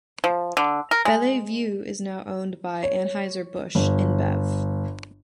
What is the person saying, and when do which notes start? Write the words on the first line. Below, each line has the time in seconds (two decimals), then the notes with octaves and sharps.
Belle-Vue is now owned by Anheuser-Busch InBev.
0.24 F3
0.57 D3
0.91 A#4
1.05 G#3
2.83 C#5
3.75 G1